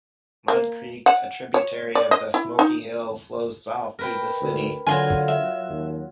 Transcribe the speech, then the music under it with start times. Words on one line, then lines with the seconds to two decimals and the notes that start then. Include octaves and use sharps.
Mud Creek, a tributary of the Smoky Hill, flows south through the city.
0.48 A#3
1.06 F#5
1.54 C#5
1.95 D5
2.11 D#5
2.34 E4
2.59 D#4
3.99 A#4 B4 G5
4.41 D2
4.87 D3 F#3 F4 G#5 C6
5.28 E5
5.69 D#2